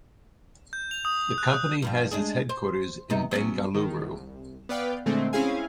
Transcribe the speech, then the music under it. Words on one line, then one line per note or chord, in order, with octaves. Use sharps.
The company has its headquarters in Bengaluru.
G6
F7
D#6
F#6
D#6
G2 F3 G3
G#3 D4 G#4
C5
C3 B3 D#4
F#3 B3 C#4
D#3
C2
B3 B4 D5 F5 G5
A#2 D3 G#3 A3 C4
C4 C#4 E4 G#4 F5 G#5